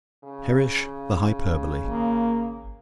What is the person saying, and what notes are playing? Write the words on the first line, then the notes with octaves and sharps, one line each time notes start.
Perish the hyperbole!
C#3
G#1 A#3